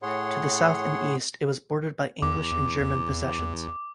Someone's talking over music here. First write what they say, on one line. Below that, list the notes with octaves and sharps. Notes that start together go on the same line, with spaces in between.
To the south and east it was bordered by English and German possessions.
A2 G#4 C#5 F#5 C6
E2 D6